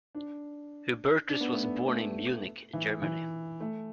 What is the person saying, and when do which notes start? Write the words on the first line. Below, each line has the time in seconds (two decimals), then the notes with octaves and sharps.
Hubertus was born in Munich, Germany.
0.15 D4
1.29 D4
1.41 B3
1.52 A3
1.63 B3
1.88 A3
2.73 E3
3.02 E3
3.60 A3